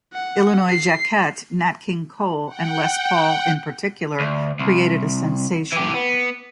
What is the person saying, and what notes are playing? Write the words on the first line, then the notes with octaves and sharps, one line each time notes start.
Illinois Jacquet, Nat King Cole and Les Paul, in particular, created a sensation.
F#5
C7
F#5 G5
D2
C2
E3 G4
B3